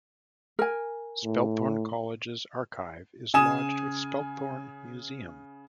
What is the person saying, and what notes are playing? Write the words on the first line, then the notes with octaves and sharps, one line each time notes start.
Spelthorne College's archive is lodged with Spelthorne Museum.
A#4 G#5
A2
C#3 G#5 D#6 E7